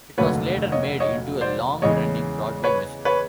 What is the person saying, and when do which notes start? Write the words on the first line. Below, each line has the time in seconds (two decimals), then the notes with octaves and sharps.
It was later made into a long-running Broadway musical.
0.18 F1 D#2 D3 F#3 A3 B4 C#5
0.72 C#5 D#5
1.00 C#5 D#5
1.41 C5 D5
1.82 E2 C#3 E3 G#3 C#5 D#5
2.64 B4 C#5
3.05 B4 C#5